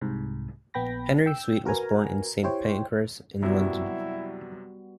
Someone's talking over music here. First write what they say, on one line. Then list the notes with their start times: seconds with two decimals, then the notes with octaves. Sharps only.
Henry Sweet was born in Saint Pancras in London.
0.01 C2 G#2 C3
0.74 A#1 B3 G5 B5 A#6
1.26 G5 E6
1.65 F#4 A#4 B4 G#5 A#5
2.43 E4 G4 C5 C#5 G5
3.42 F#2 C3 F#3 G3 B3 E4 F#4